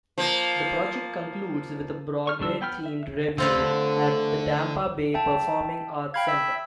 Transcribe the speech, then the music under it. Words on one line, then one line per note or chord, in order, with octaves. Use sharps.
The project concludes with a Broadway-themed revue at The Tampa Bay Performing Arts Center.
F3 A#3
C#6 F6
D3 G3 D4 E6
B3 G5 B5 F6
E5
D3 A3 C4 F4 B4
E5 G5 A5
F5 G5 B5 G#6
E5